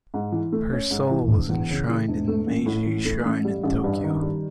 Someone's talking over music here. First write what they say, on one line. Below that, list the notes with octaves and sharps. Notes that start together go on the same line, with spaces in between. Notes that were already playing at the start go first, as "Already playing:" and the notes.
Her soul was enshrined in Meiji Shrine in Tokyo.
G#2
E3
A3
C#4
G#2
E3
E1
E2
C#3
E3
E1
A3
A1
A2
E3
A3
A1
G3
A1
G2
D#3
G3